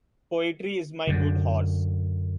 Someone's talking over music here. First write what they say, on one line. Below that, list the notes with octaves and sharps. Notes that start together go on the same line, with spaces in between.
Poetry is my good horse.
F#2 D3